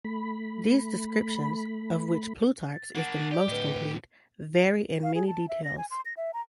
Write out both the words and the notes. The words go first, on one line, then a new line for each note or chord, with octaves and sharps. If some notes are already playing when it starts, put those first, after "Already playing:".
These descriptions, of which Plutarch's is the most complete, vary in many details.
A3 B5
A6
A#3 D4 F#5 D7
G4 D5 D6
A2 D3 B4 D#5
F5
G#4
A5
E5
A#6
G#5
C6
A#6
E5
A#5